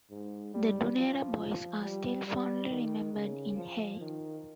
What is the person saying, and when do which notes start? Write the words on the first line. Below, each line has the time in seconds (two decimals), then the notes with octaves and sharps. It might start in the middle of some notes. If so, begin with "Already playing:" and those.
The 'Dunera Boys' are still fondly remembered in Hay.
0.11 G#2
0.54 G3
0.97 F3
1.40 F3
1.83 G3
2.27 G3
2.70 D#3
3.13 C#3
3.56 F3
4.00 D#3